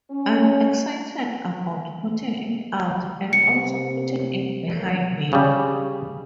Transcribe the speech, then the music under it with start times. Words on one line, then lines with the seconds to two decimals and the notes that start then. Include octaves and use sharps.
I'm excited about putting it out and also putting it behind me.
0.11 C#4
3.33 C3 C#7
5.33 C#3 G3